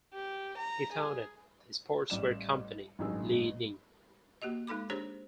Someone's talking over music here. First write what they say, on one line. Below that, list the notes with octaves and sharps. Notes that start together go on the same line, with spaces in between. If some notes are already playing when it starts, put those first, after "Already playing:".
He founded the sportswear company Li-Ning.
G4
A#5
G#4
A1 G3 D5 E7
A1 G2 D#3 F#3 G#3 E6
A#3 F#4 G4 D#5
G#3 D#4 A4 B5 D6
D4 G4 G#4 C5 C#5